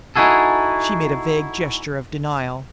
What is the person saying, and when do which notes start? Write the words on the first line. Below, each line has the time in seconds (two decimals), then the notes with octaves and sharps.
She made a vague gesture of denial.
0.16 D#4 E4 F#4 G#4 A4